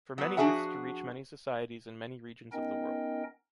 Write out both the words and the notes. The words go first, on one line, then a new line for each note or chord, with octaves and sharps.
For many youths to reach many societies in many regions of the world.
F#3 B3
F3 D4 F#4 G#4 E5 F#5
B3 C#4 D#4 A#4 D#5 G5